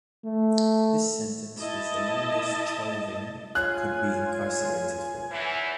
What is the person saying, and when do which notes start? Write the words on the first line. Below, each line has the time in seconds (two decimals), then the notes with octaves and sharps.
This sentence was the longest Chauvin could be incarcerated for.
0.24 A3
1.58 E4 D#5 A5
3.55 F4 G#4 C#5 G#5 F#6
5.31 E2 E3